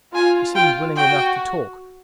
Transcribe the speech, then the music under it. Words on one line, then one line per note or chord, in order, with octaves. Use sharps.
She seemed willing enough to talk.
F4 G#5
F4 G5
F#4 G5